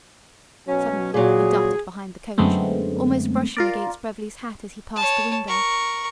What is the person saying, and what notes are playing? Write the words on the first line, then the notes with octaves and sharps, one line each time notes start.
Suddenly he darted behind the coach, almost brushing against Beverly's hat as he passed the window.
B2 F#3 C#4
A#2 F#3 G#4
F#2 D3 G#3 A3 B3 C4
F4 A#4 D5
C#5 A5
A#4 C#6